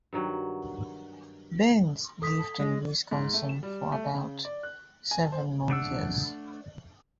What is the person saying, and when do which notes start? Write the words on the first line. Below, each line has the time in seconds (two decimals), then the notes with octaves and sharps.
Barnes lived in Wisconsin for about seven more years.
0.13 G2 D#3 F#3
2.22 A4 D#6 B6
2.60 G#3
3.11 G#2
3.33 A3
3.49 E7
3.63 G3
3.92 A3
4.13 C#3
4.45 D5
4.63 F#6
5.11 G#5
5.32 C5
5.70 A3 D4 F#5 E6